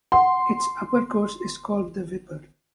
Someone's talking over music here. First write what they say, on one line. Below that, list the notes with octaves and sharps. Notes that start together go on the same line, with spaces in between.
Its upper course is called the Wipper.
F#5 C6